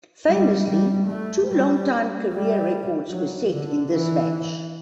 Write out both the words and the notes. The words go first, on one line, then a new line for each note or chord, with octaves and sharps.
Famously, two longtime career records were set in this match.
G3
G3
A3
G3
G3
F#3
D3
E3